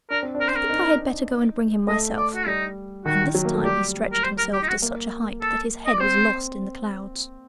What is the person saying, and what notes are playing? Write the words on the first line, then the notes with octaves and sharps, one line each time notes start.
I think I had better go and bring him myself,' and this time he stretched himself to such a height that his head was lost in the clouds.
D4 A#4
C4
D4
A#4
C5
A#4
D#4
A3 D#5
D5
F#4
G3 D#4
D#3 F#4
D#3
F#3
A#3
A3
G3 G4
A#4
C5
A#4
G4
D#4
F#4
A#3
A4
D#5
D5
C4 C5